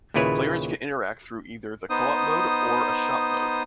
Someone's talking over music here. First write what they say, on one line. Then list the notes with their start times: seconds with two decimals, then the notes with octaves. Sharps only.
Players can interact through either the Co-op mode or a Shop mode.
0.14 D#2 A#2 C#3 E4 B4 C#5
1.90 B3 D#4 C5 D#6